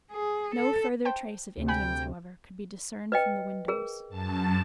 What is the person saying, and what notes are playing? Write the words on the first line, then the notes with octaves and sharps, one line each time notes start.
No further trace of Indians, however, could be discerned from the windows.
G#4
A4
C5 G5 A5
D2 C3
G5 G#5 B5
B4 D#5 G5
G#4 A#4
F#2 A5